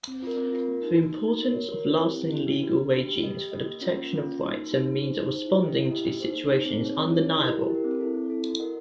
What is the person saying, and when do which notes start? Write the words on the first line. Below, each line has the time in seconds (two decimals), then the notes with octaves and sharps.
The importance of lasting legal regimes for the protection of rights and means of responding to the situation is undeniable.
0.08 C4
0.22 F4 A#4
0.37 C4
0.53 F4 A#4
0.68 A#3
0.82 D#4 F#4
0.97 A#3
1.12 D#4 F#4
1.27 F#4
1.43 A#4 C#5
1.58 F#4
1.72 A#4 C#5
1.88 C4
2.02 E4 G4
2.18 C4
2.32 E4 G4
2.47 D4
2.62 F#4 B4
2.77 D4
2.92 F#4 B4
3.06 G4
3.22 B4 D#5
3.37 G4
3.51 B4 D#5
3.66 A#3
3.81 C#4 F4
3.96 A#3
4.12 C#4 F4
4.26 A#3
4.41 D#4 F#4 B4
4.56 A#3
4.71 D#4 F#4 B4
4.86 D#4
5.01 G#4 C5
5.16 D#4
5.30 G#4 C5
5.45 E4
5.61 G4 B4 D#5
5.76 E4
5.91 G4 B4 D#5
6.05 A#3
6.21 D#4 G#4 C5
6.35 A#3
6.50 D#4 G#4 C5
6.66 C4
6.81 D#4 G#4 C#5
6.96 C4
7.10 D#4 G#4 C#5
7.24 E4
7.40 G4 A#4
7.54 E4
7.70 G4 A#4
7.84 C4
7.99 E4 A4
8.14 C4
8.30 E4 A4
8.45 F#4
8.60 A#4 D#5 F#5